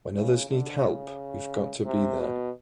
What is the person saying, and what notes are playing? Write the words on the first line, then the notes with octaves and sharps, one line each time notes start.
When others need help, we’ve got to be there.
C#3
D3
C#3
C3
B2